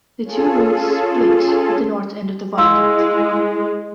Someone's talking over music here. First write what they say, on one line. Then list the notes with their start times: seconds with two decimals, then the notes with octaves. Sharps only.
The two routes split at the north end of the viaduct.
0.23 C#4 F4 G#4 A4
2.58 G#3 E4 F5 C6 E6